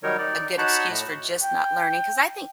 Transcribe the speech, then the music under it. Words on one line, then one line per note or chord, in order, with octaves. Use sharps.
a good excuse for just not learning. 'Cause I think
D#3 F#3 G3 D#4 A#4 C#5
D#4 D5
D#4 F#4 C#5 F#5 A5 B5
A2
G5